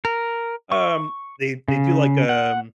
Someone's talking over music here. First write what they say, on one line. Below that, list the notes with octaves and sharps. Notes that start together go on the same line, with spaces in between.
um they they do like, um
A#4
C#6
C#3
F#5